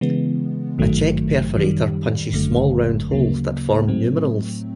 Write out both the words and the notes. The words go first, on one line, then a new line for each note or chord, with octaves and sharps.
A check perforator punches small round holes that form numerals.
C#3 E3 G#3 B3
G#1 G2 D#3 F#3 A3
F#2 D#3 G3
G1 F#2 D3 F#3 A3
D2 C#3 F#3 A#3
A2 F#3 A3 C4